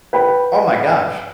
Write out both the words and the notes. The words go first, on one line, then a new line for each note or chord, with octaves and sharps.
Oh my gosh.
B4 G5 B5